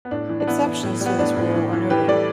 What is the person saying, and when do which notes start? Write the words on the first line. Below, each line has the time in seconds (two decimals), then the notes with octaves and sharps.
Exceptions to this rule are noted.
0.05 B3
0.11 A2 D4
0.29 E3
0.40 D4
0.47 E3 B3 E4
0.66 E3
0.83 A2
1.01 G3
1.06 B3
1.18 A2 D4
1.36 A2
1.55 E3
1.73 E3
1.90 E3 G4 B4
2.08 G3 A4 D5